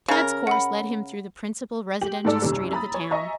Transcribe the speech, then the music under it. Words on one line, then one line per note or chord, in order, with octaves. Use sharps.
Tad's course led him through the principal residential street of the town.
C#3 A#4
F#5 B5
G4 F#7
G#2 G#3 A3 A4 D5 E6
C2 F#2 G3
A#5 B5 D#6 A6
C#5
D#5 E5 G#5 A#5 C#6